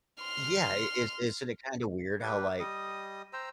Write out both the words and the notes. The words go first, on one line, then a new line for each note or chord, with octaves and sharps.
Yeah, it is isn't it kinda weird how, like,
C6 F6
G3 A#3 B4
G3 D#5 D#6
C5 G5 A#5 E6